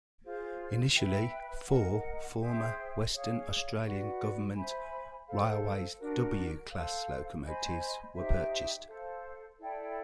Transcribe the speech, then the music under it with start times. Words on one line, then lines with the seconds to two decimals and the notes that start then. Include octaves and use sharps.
Initially four former Western Australian Government Railways W class locomotives were purchased.
0.23 F4 G#4 C5 F5
0.95 B4 E5 G5
1.67 A#4 D#5 F#5
2.39 G#4 C5 E5 G5
3.11 G#4 C#5 F5
3.83 F#4 B4 D5 F#5
4.54 C5 E5 G#5 B5
5.26 A4 C5 F5
5.98 D4 F#4 A#4
6.70 A4 C5 F5
7.42 C5 D#5 G#5 B5
8.13 D#4 G4 C5 E5
8.85 A4 C5 F5
9.58 E4 A4 D5 G5